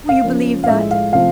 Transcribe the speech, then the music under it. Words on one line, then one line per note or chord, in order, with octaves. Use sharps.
Will you believe that?
F5
C#3 F3 A#3 C#4
F5
A2 F3 G#3 E5
F5
C3 F3 A3 F5